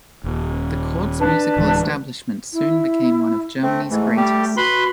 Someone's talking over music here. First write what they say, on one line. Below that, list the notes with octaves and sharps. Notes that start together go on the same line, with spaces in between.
The court's musical establishment soon became one of Germany's greatest.
D#1
D4 B4 A5
D1 E3 G#3
E4
A3 C4
G#2 E3 A3
G3 G4
F#4 B4 B5 C6